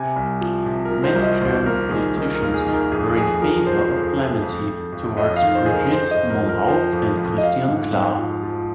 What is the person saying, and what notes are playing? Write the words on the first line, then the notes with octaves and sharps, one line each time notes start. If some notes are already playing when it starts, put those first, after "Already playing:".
Many German politicians were in favour of clemency towards Brigitte Mohnhaupt and Christian Klar.
Already playing: C3 G#5
C2
F3
C3
A#4
F3
C5
C2
D#5
D#2 C5
D#2 A#4
D#3 G#4
D#3 A#4
A#4
D#2
G#4
D#3
A#4
F2 G#4
F2 G#4
F3 A#4
F3 C5
F2
F3
F2
F2
F2
F2 D#5
F5
D#3
C5
D#3 G#4
A#4
F2 C5
D#5
F2
A#4
F3
A#4
F3 C5
F2
F2
D#5
F3 F5
G#2
G#2
F3
F3